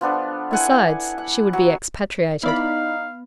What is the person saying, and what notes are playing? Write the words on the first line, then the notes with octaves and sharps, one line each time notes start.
Besides, she would be expatriated.'
F3 B3 D4 A4
E4 F#5 G#5
F#5
F#3
B3 D#4 E4 D5 F5 B5